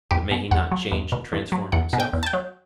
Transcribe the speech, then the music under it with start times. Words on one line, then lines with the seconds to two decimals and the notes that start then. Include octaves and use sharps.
But may he not change and transform himself?
0.11 E2 G4
0.31 B2
0.51 E2 F#5
0.72 F#3
0.92 E2
1.12 B2
1.33 E2
1.52 F#3
1.72 E2 F#5
1.93 B2
2.00 G5
2.13 E2
2.23 A5
2.26 G5
2.33 F#3